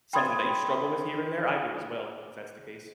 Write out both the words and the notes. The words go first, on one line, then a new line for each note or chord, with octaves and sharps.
something that you struggle with here and there, I do as well, if that's the case.
G5 B5 C6 D#6 G#6 A6